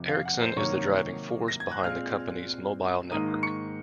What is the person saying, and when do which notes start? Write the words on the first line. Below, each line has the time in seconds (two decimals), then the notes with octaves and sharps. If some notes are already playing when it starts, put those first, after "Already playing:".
Ericsson is the driving force behind the company's mobile network.
Already playing: F2 C3 F3
0.09 F5
0.25 F#5
0.41 C5 C6
0.56 C3 D#3 F#3 A#3 C#5 C#6
1.48 A#6
1.60 G#6
1.72 F#6
1.84 A#2 G#3 C4 F5 F6
3.11 G#2 D#3 A#3 D#6 D#7
3.43 C#6 C#7